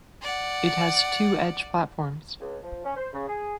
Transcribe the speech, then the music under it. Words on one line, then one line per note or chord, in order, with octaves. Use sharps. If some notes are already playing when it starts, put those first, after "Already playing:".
It has two edge platforms.
D5 F#5
C#2
F3
C#4
C5
C#3
G#4